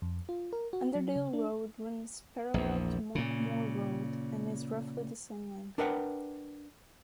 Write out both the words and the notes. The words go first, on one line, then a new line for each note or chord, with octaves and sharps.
Underdale Road runs parallel to Monkmoor Road and is roughly the same length.
F2
F4
A#4
F#4
F#3
C#3
D4
A#1 E2
A#2 C#3
D4 A#4 B4 E5 F#5 G5